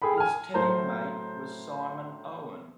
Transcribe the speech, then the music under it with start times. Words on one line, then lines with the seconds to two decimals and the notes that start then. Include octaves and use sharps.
His teammate was Simon Owen.
0.02 G#4 A4 G5 B5
0.17 G#5 F6
0.54 A2 F#3 C5 A5 A#5